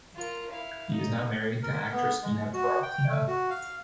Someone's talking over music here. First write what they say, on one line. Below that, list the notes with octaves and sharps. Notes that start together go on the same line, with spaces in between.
He is now married to actress Inna Korobkina.
F4 A#4
E4 F5
D#4
A#4
B3
G#3
F#4
G5
A3
F#4
F5